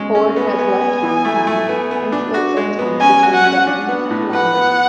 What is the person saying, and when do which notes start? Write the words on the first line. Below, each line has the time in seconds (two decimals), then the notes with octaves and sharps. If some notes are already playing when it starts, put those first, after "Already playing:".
Ford has left Hong Kong and splits his time between Devon and London.
Already playing: G#3 C#4
0.15 C#4
0.36 B3 G#5
0.59 B3
0.81 B3
1.03 E3
1.25 A3
1.47 A3
1.69 B3
1.91 B3
2.12 D4
2.34 F#4
2.57 G#3
2.79 B3
3.01 C#4 G#5
3.23 F#4
3.34 F#5
3.44 C#4
3.67 D4
3.89 B3
4.10 A2
4.33 B4 F#5
4.55 B3